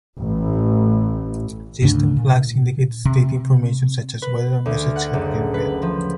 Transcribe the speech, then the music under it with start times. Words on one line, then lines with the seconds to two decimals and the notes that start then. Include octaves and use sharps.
System flags indicate state information such as whether a message has been read.
0.19 A1
1.82 D2 G#2 C#3 D4
2.17 A#2
3.05 C3
4.22 B4
4.66 D2
4.96 F#5
5.13 F#1
5.54 B4
5.82 F3